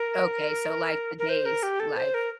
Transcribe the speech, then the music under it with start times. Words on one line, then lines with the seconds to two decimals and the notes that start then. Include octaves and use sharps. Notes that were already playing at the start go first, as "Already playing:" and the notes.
Okay, so, like, today's life?
Already playing: A#4
1.19 A#4
1.29 C5
1.46 A#4
1.63 G4
1.80 A4
1.97 C5
2.14 A#4